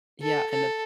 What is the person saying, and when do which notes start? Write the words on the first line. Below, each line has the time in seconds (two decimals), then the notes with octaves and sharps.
Yeah, and the
0.22 A4
0.51 A4